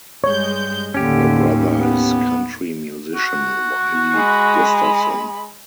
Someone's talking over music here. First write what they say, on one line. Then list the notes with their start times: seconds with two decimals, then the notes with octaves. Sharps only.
Her brother is country musician Wylie Gustafson.
0.24 G2 G#3 C#5 G6
0.94 D#2 A2 D3 C#4 G4
1.81 B3
3.15 F#4
4.15 G#3 B5